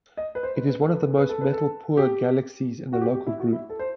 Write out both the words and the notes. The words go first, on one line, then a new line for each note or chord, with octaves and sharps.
It is one of the most metal-poor galaxies in the Local group.
D#5
B4
C5
B4
B4
A4
B4
A4
B4
A4
B4
A4
G4
F#4
G4
G4
E4
F#4
E4
A4
C5